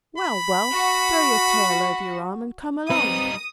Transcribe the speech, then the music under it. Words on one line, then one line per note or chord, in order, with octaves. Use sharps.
"Well, well, throw your tail over your arm, and come along."
B5
F#4
G3 C4 D#4 B4 D#6